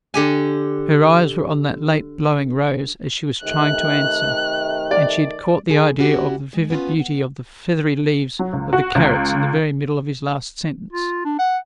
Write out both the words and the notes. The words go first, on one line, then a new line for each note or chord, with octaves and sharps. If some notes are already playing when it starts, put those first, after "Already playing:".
Her eyes were on that late-blowing rose as she was trying to answer; and she had caught the idea of the vivid beauty of the feathery leaves of the carrots in the very middle of his last sentence.
D3 G4 G#5
C3 D#3 A3 F#6
D5
D3 G#4
C#4 E4 F#4 G4
G#3
B3 C#4 F4
F#5
F#3
C#2
F#4
C#2
F4
D4
F#5